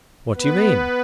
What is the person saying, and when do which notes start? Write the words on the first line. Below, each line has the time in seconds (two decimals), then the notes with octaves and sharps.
"What do you mean?"
0.34 B3 B4